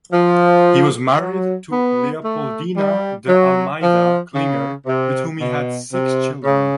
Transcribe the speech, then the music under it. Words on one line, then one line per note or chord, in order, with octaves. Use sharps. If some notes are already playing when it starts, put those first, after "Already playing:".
He was married to Leopoldina de Almeida Klinger with whom he had six children.
F3
F#3
B3
A3
G3
F#3
F3
C#3
C3
B2
C3
C#3